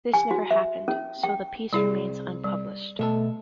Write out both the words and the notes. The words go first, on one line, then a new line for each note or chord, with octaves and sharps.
This never happened, so the piece remains unpublished.
G#5
F#4
E5
C#4
G5
C2 G3 E4 G#4
G3
B2 A3 A4 E5